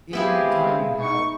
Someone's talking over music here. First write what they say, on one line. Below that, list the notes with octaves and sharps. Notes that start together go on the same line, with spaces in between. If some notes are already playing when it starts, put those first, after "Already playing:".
anytime you have v
G#3 B3 C4 E4 G4 G#4 F5
D#4 C#6